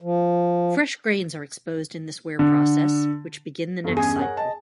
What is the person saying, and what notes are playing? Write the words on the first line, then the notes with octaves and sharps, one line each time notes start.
Fresh grains are exposed in this wear process, which begin the next cycle.
F3
D3
E2 G2 A4
C#4 G#4
A#4 C#5 F#5
D#5 A5